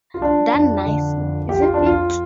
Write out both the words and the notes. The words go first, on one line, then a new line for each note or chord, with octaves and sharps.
Darn nice, isn't it!
F4
F3 D4
F2
D3
F2
F3 G4
F4
D4
F2
F4